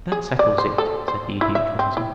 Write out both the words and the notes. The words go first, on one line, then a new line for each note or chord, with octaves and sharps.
"That settles it," said the Idiot, rising.
G#4
D5
C5
A4
C5
E4
E5
C4
E4